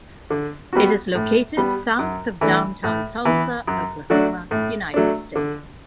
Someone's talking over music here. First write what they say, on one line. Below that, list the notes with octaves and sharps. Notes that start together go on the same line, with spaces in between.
It is located south of downtown Tulsa, Oklahoma, United States.
D3
G3 B3 F#4
A2
G3 B3
F#2
E3 A3 D4
A2
E3 B3
F#2
F#3 A3 D4 F#4
A2
F#3 A3 D4
D3